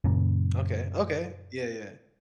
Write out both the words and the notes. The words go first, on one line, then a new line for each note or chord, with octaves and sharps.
Okay, okay. Yeah, yeah.
F#2 A#2 C#3